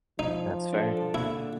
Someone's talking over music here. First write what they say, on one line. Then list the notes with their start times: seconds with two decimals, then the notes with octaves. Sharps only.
That's fair.
0.19 F3 D#4
0.73 D4 G#4 A4
1.14 A#2 D3 E4